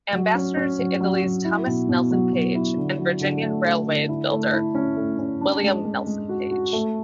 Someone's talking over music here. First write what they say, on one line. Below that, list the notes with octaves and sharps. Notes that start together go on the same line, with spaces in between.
Ambassador to Italy Thomas Nelson Page, and Virginian Railway builder William Nelson Page.
F#3
C#4
C#4
F#3
F#3
F#3
E4
B2
B2
F#3
F#3
E4
D3
F#3
D3
A3
A3
D3
E4
A3
E4
C#4
A3
C#4
D4
G#3
G#3
G#3
F#4
F#4
A3